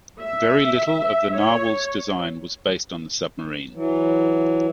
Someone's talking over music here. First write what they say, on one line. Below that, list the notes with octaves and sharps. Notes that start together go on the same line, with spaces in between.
Very little of the "Narwhal"s design was based on the submarine.
E5
C#5
E3 F#3